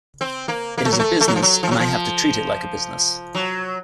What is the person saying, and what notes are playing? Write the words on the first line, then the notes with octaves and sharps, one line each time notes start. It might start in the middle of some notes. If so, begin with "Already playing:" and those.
It is a business, and I have to treat it like a business.
C4
A#3
A#3
A3
F#3
A3
A3
F#3
F3
F#3
F3
F#3
F3
F#3